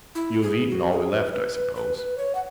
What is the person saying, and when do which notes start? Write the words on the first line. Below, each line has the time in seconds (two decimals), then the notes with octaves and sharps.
You have eaten all we left, I suppose.
0.15 E4
0.43 G#4
0.70 F#4
0.91 G#4
1.13 B4
1.33 B4
1.55 B4
1.75 B4
1.97 B4
2.18 C#5
2.35 F#5